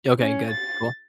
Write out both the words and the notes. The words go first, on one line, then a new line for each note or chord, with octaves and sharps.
Okay, good, cool.
C#4
A6